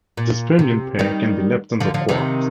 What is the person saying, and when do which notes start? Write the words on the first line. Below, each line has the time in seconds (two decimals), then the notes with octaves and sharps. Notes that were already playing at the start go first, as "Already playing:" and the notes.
This fermion pair can be leptons or quarks.
0.17 A#2
0.59 C3
0.99 D#3 G3
1.80 D3 F3
1.94 D3 F3
2.09 C3 D#3